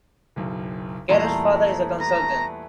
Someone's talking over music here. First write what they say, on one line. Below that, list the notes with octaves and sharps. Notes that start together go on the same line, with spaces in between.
Cara's father is a consultant.
F#1 B1
E2 A#2 G3 A3 A#5 C6
B4 A#5